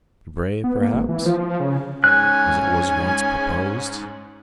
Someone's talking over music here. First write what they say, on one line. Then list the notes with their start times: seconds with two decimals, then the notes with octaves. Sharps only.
Debray, perhaps, as it was once proposed.
0.64 B3
0.81 A#3
0.94 G#1
1.09 E3
1.26 F3
1.60 C#3
2.04 G#2 C#4 G#5 F#6